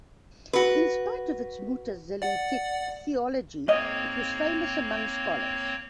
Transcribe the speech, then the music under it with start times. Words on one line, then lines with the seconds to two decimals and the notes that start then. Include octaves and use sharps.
In spite of its Mu'tazili theology it was famous among scholars.
0.53 F#4 B4
2.22 D5 F#5
3.68 G#2 A#3 C4 C#5 D#5